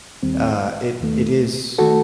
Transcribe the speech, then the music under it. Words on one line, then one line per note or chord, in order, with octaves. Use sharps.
uh, it it is,
D#2 D#3 G3 C4
D#2 D#3 A3
D#3 A3 F#4 A4